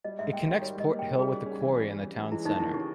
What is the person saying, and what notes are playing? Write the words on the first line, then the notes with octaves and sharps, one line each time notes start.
It connects Porthill with the Quarry and the town centre.
G3 D#5
G#2 E5
A#3 G5
D#3 E5
G3 C#5
G#2 D#5
A#3
G5
D#3
G3 G#4
C#3
C#4
E3
G3
C#3
C#4
E3
G#3 E4
D#2 D#4
D#2 E4
C#3 G4